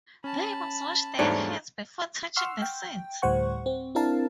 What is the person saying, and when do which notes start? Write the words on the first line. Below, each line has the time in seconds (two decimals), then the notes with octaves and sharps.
They must wash their hands before touching the seeds.
0.24 C#4 A5 B5
1.19 E2 G#2 G3 A3 D4 C5 C#5 F5
2.36 F#5 C6 C#6 E6 F6
2.62 G5
3.22 D2 A2 G3 C5 F#5 C#6
3.66 C4
3.95 C4 D4 E4 A#4 F5 A5